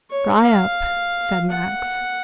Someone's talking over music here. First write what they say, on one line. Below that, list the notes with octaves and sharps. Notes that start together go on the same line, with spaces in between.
"Dry up," said Max.
C#5
F5
F#5